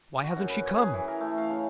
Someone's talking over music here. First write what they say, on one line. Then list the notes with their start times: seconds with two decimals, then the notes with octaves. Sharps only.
'Why hasn't she come?
0.24 F#4
0.36 F#2
0.50 B4
0.66 G#5
0.77 G#4
0.93 E3
1.08 A#4
1.20 A3
1.38 F5
1.50 C#3